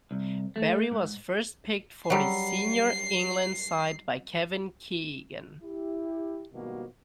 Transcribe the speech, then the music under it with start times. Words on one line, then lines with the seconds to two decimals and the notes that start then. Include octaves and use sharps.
Barry was first picked for the senior England side by Kevin Keegan.
0.11 C2
0.56 A3
0.91 G#2
2.10 F#3 G3 C7
5.63 E4 G4
6.53 G#1 B2 F3 G3 A#3 F#4